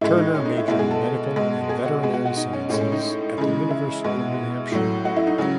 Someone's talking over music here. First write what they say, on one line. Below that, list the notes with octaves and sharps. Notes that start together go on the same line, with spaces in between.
Turner majored in medical and veterinary sciences at the University of New Hampshire.
A2 G#3 E4
D#4
C#4
D#4
E4
B2 G#3 E4
G#4
A4
B2 G#3
G#4
F#4
B2 G#3 G#4
F#4
F#4
D#4
C#4
A2 G#3 C#4
C#4
D#4
C#3 E3 G#3
E4
B2 G#3
A2 F#3
F#4
E4
D#4
C#3 F#3 C#4